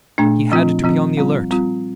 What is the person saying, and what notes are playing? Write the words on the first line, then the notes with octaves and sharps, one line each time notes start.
He had to be on the alert.
A#2 A3 D4
F3 C4 F4
F3 C4 F4
G3 C4 F4
G3 C4 F4